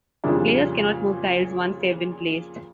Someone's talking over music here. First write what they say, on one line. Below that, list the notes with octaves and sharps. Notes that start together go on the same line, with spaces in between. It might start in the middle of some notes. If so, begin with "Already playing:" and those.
Players cannot move tiles once they have been placed.
F2 A#2 C#3 G3 D4